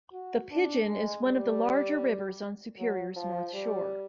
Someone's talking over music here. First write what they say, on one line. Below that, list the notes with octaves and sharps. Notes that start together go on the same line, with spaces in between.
The Pigeon is one of the larger rivers on Superior's North Shore.
F#4
D4
G#3
G3
F#3
F3
G3